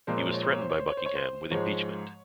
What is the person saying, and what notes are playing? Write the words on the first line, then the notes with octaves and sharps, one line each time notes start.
He was threatened by Buckingham with impeachment.
A#2 F3 G#3 C5
C#5
C5
C#5
C5
C#5
C5
C#5
C5
C#5
C5
C#5
C5
G#2 F3 G#3 C#5